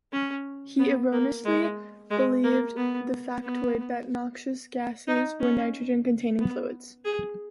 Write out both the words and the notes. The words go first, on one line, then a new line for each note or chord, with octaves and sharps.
He erroneously believed the factoid that noxious gases were nitrogen containing fluids.
C#4
B3
A#3
G#3
G#3
A#3
B3
B3
D#4
C#4
B3
G#4